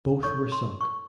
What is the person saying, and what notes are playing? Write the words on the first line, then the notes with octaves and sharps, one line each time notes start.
Both were sunk.
D#4 A4 C#5 C#6
C6
C#6